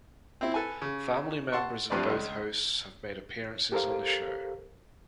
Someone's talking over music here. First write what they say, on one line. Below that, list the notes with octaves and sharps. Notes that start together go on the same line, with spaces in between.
Family members of both hosts have made appearances on the show.
C4 E4
A4 B4 G#5
C#3
F#5 A5 C6 C#6
A1 G2 F3 C4 B4 D5
C#2
G4 A4 A#4 C5 F5